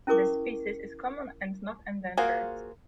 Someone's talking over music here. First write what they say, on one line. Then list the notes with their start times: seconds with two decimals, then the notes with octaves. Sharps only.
The species is common and not endangered.
0.07 C#4 E4 G#4 A#4 C#6 D6
2.17 A#3 F4 F#4 G#4 C5